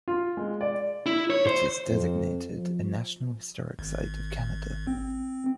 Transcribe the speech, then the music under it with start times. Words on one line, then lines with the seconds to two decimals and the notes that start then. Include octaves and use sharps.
It is designated a National Historic Site of Canada.
0.08 F4
0.37 G#3
0.61 D5
1.06 E4
1.30 C#5
1.47 C5
1.87 F2
2.56 F3
3.79 G#1
4.87 C4